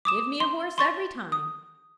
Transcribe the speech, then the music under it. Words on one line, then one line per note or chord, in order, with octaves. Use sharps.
Give me a horse every time.
D6 D#6 E7
C6
C6 C#6 A6
D#6